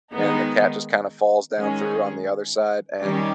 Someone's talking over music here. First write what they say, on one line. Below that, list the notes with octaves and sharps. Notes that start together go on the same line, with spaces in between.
and the cat just kind of falls down through on the other side, and
D#3 G#3 B3 D#4
D#3 G#3 C#4 G#4
D#3 G3 C#4 G4